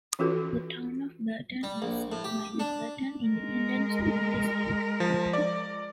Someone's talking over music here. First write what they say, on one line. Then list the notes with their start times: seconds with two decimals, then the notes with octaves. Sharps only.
The Town of Burton is served by the Burton Independent School District.
0.19 E3 C#4 F4 F#4 A4 B4
1.63 G3
1.82 A#1
2.12 A2
2.24 G4
2.59 D4
3.27 G#3 A#4
5.00 F3
5.33 D5